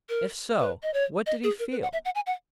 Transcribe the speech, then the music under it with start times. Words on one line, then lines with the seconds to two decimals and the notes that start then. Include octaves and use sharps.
If so, what did he feel?
0.09 A#4
0.60 B4
0.83 D#5
0.94 C#5
1.26 D#5
1.44 G#4
1.59 A#4
1.72 B4
1.83 F#5
1.93 E5
2.05 F#5
2.15 G#5
2.27 F#5